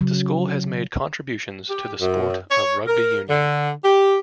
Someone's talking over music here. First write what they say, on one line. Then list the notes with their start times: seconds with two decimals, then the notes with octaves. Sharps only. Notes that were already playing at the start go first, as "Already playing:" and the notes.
The school has made contributions to the sport of rugby union.
0.01 C#3 F#3
1.70 G4
2.01 F#2
2.51 C#5
2.88 A#4
3.30 D3
3.83 G4